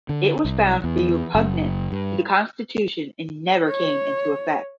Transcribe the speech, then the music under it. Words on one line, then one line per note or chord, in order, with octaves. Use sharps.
It was found to be repugnant to the Constitution and never came into effect.
D3
C2
E2
F#1
G2
C#5